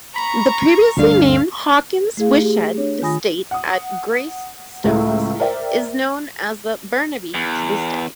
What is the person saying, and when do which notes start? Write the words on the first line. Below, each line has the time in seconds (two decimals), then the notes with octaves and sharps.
The previously-named Hawkins-Whitshed estate at Greystones is known as The Burnaby to this day.
0.16 A#5 B5 C#6
0.97 D2 G2 D3 F5
2.17 A3 E4 G#4 F5
2.41 G4 G#4
2.77 D4 C#5
3.02 D#3 F4 G#5 B5 D#6 A#6
3.51 F#5 D#6
4.84 C#2 A2 C#3 A3 E4
5.40 A#4 C5 D5 E5 G5
7.34 E2